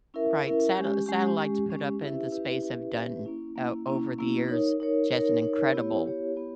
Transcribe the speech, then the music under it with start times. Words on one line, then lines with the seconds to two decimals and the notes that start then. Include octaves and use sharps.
Right. Sate Satellites put up in the space have done o over the years just an incredible
0.14 C#4 E4 A#4 E5
0.45 C#4 E4 A#4 E5
0.75 G#3 C#4 G4
1.06 G#3 C#4 G4
1.37 G#3 C#4 G4
1.69 G#3 C#4 G4
2.01 C#4 E4 G4 B4 E5
2.31 C#4 E4 G4 B4 E5
2.62 C#4 E4 G4 B4 E5
2.93 C#4 E4 G4 B4 E5
3.25 A#3 C#4 E4
3.56 A#3 C#4 E4
3.87 A#3 C#4 E4
4.18 A#3 C#4 E4
4.48 D#4 A#4 C#5
4.80 D#4 A#4 C#5
5.12 D#4 A#4 C#5
5.42 D#4 A#4 C#5
5.73 B3 E4 G4 C#5
6.05 B3 E4 G4 C#5
6.35 B3 E4 G4 C#5